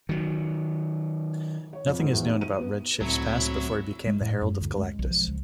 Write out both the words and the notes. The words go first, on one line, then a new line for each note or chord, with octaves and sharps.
Nothing is known about Red Shift's past before he became the Herald of Galactus.
D#3 F#3
C#5
F2
G#2
E2
D#4
D#7
B3
C#2 A2 F#3 A3 C4 E4 E5
G#3
A2
F#2
D2
G#3
B1
F3
C#2